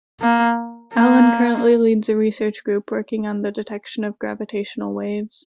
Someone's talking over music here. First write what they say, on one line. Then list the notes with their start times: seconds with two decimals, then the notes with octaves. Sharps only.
Allen currently leads a research group working on the detection of gravitational waves.
0.22 A#3
0.94 A#3